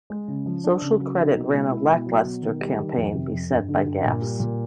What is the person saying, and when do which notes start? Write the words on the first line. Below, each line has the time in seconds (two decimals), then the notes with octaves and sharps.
Social Credit ran a lackluster campaign beset by gaffes.
0.10 G#3
0.28 C#3
0.46 F3
0.64 D4
0.82 C#3
1.00 F#3
1.17 D#4
1.35 B2
1.53 G#3
1.71 E4
1.89 B2
2.07 F#3
2.25 B2
2.42 D#3
2.61 G3
2.79 D#3
2.96 F2
3.15 C3
3.32 F2
3.50 G2
3.68 D3
3.86 G2
4.04 A#2
4.22 G3
4.40 A#2